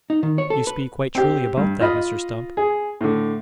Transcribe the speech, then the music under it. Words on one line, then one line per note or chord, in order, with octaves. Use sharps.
You speak quite truly about that, Mr Stump.
D#4
D#3
C#5
A4
B4
C4 G4
G2
F4 D#5 B5
G#4
A2 D3